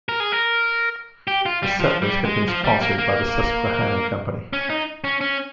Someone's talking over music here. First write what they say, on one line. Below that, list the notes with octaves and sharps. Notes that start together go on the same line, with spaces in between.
The settlers had been sponsored by the Susquehanna Company.
A#4
G#4
A#4
G4
F4
G3
F3
G3
G#3
F3
G3
A#3
A#3
C#4
D#4
C#4
C#4